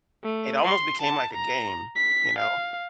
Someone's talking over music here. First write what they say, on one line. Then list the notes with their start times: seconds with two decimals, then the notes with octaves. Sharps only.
It almost became like a game, you know?
0.24 A3
0.65 C6
1.02 A5
1.34 A#5
1.96 B6
2.39 F5